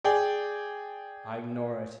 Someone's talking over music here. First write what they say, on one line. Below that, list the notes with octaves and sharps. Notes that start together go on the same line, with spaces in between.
I ignore it.
G#4 D5 G5